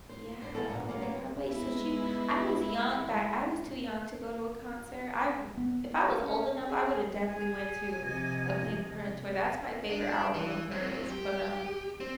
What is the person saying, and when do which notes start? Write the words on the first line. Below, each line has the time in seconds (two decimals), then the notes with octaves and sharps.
Yeah, oh my god, wait, so she I was young back I was too young to go to a concert, I w if I was old enough, I would've definitely went to a Pinkprint Tour that's my favorite album of hers, but, um
0.09 C5
0.42 D4 C5
0.55 D#3 E3 G3 B3 G#4 A4
0.68 A#2 D3 B3
0.89 F#3 G3 A#3
1.01 F#3 A#3 B3
1.48 G#3 B3 E4
5.58 B3
6.20 C#4
6.67 G#4
7.30 G#4 G#5
8.00 C3 F3 D#5
9.90 D4
10.34 E3
10.72 F#3 C4
11.09 G4
12.00 C4